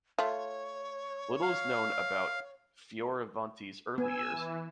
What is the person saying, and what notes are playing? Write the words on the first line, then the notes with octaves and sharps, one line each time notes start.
Little is known about Fioravanti's early years.
A3 F4 C#5
F5
B3 G#5 E6
E3